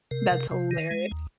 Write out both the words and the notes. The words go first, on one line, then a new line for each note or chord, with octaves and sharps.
That's hilarious.
C3 A#4
C3
C3
D#3
G#3
D#2